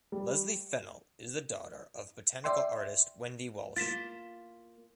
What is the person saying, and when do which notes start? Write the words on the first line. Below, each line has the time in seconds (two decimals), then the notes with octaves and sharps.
Lesley Fennell is the daughter of botanical artist Wendy Walsh.
0.12 G3
2.44 D5 E5 G5 C6
3.76 A#3 F4 A6 B6 E7